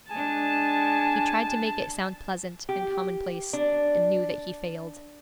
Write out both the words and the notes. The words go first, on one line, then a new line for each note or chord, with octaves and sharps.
He tried to make it sound pleasant and commonplace, and knew that he failed.
G#3 D4 G#5 A5
G4
D4